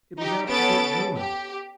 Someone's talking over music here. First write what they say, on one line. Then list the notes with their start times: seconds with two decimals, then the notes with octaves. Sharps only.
It was absolute ruin.
0.18 D#4 G4
0.48 B3 C#4 A4 A6 D7
1.16 G4